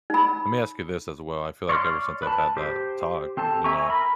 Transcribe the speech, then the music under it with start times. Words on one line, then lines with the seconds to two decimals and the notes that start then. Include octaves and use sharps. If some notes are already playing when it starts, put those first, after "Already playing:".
let me ask you this as well; I feel like ever since I've had that talk, you know,
0.10 D#4 B5
1.69 C#5 D5 E5 C6 F6
2.23 B4 A5
2.57 G4 C5
3.37 C4 G4 A4 A5
3.64 E5 G#5 A#5 C#6
3.89 A#4 B5